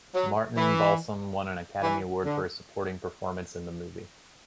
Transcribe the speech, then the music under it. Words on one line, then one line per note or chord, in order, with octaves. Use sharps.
Martin Balsam won an Academy Award for his supporting performance in the movie.
F#3
E3
E3
D3